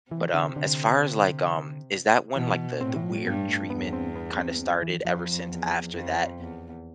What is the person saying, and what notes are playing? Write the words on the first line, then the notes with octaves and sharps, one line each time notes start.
But, um, as far as, like, um, is that when, like, the the weird treatment kinda started, ever since after that,
C3 E3
D3
D3
B2 E3
A2 C4
E3
F3
G3
A3
G2 B3
G3
A3
E2 B3
C4
B3
C4
B3
C4
E3
F2 F3
E2
F2
E2